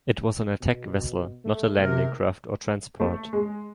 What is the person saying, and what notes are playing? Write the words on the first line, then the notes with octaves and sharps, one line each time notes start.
It was an attack vessel, not a landing craft or transport.
B2
A3
G#1 C3 A#4
A3
G#3